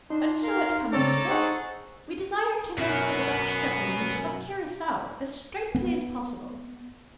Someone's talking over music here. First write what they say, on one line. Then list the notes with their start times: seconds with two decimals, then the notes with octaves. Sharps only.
And so it comes to this: We desire to make for the Dutch settlement of Curacao as straightly as possible.
0.10 D4 D#4 C6
0.43 A#4 F5 C6
0.93 C#3 C4 D4 A4 C#5 A#5 D6
1.29 D#4 G#4 C5 F#5 C#6
2.78 F#2 B2 B3 F#4
5.75 B3